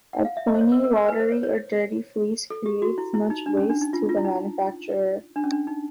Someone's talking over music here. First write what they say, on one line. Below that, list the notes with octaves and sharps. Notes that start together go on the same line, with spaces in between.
A pointy, watery, or dirty fleece creates much waste to the manufacturer.
F#5
F5
E5
D#5
C5
C#5
A#4
A#4
A#4
B4
C5
C#5
C#5
A4
G4
F#4
E4
E4
D#4
D4
C#4
D4
D#4
F4
F4
E4
D#4
D4
C#4
D4
D#4